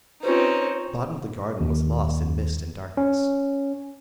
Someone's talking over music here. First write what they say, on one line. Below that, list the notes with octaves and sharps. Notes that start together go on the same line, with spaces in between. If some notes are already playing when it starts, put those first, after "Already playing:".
The bottom of the garden was lost in mist and darkness.
C4 C#4 D#4 F4 G4 B4 C5
D#2
C#4